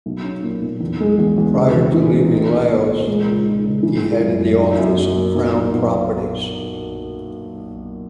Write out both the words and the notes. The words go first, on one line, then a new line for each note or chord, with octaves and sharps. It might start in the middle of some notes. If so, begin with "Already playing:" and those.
Prior to leaving Laos he headed the Office of Crown Properties.
B1
C#4
A#2
B1
E2
G#3
E2
E2
C#3
E1
E3
E3
D#4
A#2
A#2
A#2
G#3
C#2
D#4
C#3
E3
G#3
F#2
F#2
D#4
F#2
F#2
A#3
B1
A#2
B3
A#2